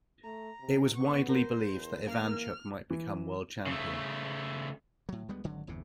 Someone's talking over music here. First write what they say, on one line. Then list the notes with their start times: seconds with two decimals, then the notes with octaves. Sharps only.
It was widely believed that Ivanchuk might become World Champion.
0.24 A3 A#5
0.61 C3
0.95 B3 C#6
1.29 A#4 C5
1.70 E2
2.07 E3 A#3 F6
2.90 E3
3.66 C#3 A3
5.09 A2 F#3
5.28 D2 G3 G#3 B3
5.44 G#1 D3 F#3
5.67 G1 E2 A2 C3